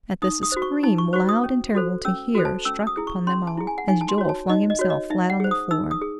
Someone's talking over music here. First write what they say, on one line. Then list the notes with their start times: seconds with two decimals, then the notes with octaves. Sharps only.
At this a scream, loud and terrible to hear, struck upon them all, as Joel flung himself flat on the floor.
0.22 D#4 D#6
0.43 D#6
0.52 F#4 C5
0.62 C#6
0.83 D#4 A5
0.98 C#6
1.13 F#4 C5 C#6
1.29 D#6
1.44 C#4
1.75 F#4 A4 C5
2.05 C#4 E6
2.35 F#4 A4 C5
2.45 A5
2.65 C#4 E6
2.87 D#6
2.97 E4 G#4
3.07 C#6
3.27 C#4 C6
3.47 A5
3.58 E4 G#4
3.67 G#5
3.78 F#5
3.88 D#4 G#5
4.01 A5
4.09 C6
4.18 F#4 C#5
4.29 A5
4.49 D#4 D#5
4.70 D#5
4.79 F#4 C#5
4.90 D#5
5.10 D#4 E5
5.30 F#5
5.40 G#4 C5
5.51 D#6
5.71 D#4 E6
5.91 D#6
6.01 G#4